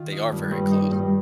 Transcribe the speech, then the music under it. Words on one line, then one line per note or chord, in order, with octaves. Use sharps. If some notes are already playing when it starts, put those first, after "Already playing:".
they are very close.
Already playing: D#3 F4
D#4
G2
G2
D#4
G2